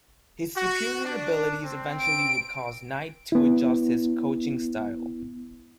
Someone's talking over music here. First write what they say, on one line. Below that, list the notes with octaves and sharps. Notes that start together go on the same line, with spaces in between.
His superior abilities eventually would cause Knight to adjust his coaching style.
F#4
D4
C4
D7
B3 E4